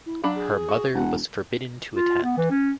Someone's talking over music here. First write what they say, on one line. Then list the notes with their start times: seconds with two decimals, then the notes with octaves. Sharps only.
Her mother was forbidden to attend.
0.06 E4
0.24 F#3 D4 F5 B5
0.35 G#4
0.68 F#4
0.94 E1 F#5
1.94 F4
2.23 B3
2.37 E3
2.50 C#4